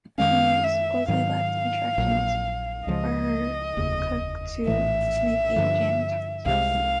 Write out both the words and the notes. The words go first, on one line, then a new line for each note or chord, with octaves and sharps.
She supposedly left instructions for her cook to make a jam tart.
F#2 D#3 G#3 C#4 F5
E5
G#2 D#3 F#3 F5
A#1 A#2 F#3
C#2 C#3 F3 G#3 D#5
F1 D#2 C#3
A#1 A2 E3 A3 E5
G2 D3 F3
C2 C3 D#3 G#3 F5